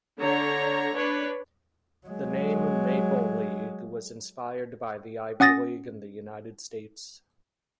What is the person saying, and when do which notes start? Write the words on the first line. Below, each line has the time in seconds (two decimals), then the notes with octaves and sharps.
The name "Maple League" was inspired by the Ivy League in the United States.
0.18 D3 C#5 A#5
0.95 D4 B4 C#5
2.07 F#3 G#3
5.40 C#4 F#5 D#6 A6 A#6